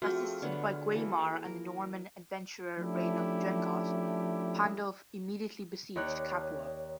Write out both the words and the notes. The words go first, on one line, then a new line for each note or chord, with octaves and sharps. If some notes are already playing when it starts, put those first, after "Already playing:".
Assisted by Guaimar and the Norman adventurer Rainulf Drengott, Pandulf immediately besieged Capua.
F3 A3 C4 F#4 G#4 F6
D3 B3 C#5
E3 A#3 A4
A#4
F3 A3 C#4 D4 E4 G4
D#2 D#4 C#5 D5 F#6